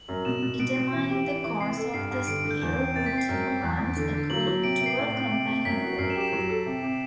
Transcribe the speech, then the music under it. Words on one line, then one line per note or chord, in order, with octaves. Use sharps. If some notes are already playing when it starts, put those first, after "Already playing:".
Determining the cause of the spill would take months, according to a company employee.
Already playing: F#7
F#2
B2 E7
B2
B2 D7
B2
E3
G4
E3
E3
C3 C7
A4
G2 C7
G2
D3 D7
D3
G6
E2 G6
C4
C3 A6
B6
C4
C7
F#2 D7
C4
E2
E2
D3
D3
F#3 F#7
F#3
C3 D7
D7
C3
C7
A2
C4
C3
C3
F#2 B6
F#4
F#2 C7
E7
G4
E7
F#3
A4
C3
C3